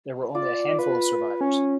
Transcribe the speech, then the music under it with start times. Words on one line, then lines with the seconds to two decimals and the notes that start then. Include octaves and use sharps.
There were only a handful of survivors.
0.35 F4 D5
0.79 F4 B4
1.41 C#4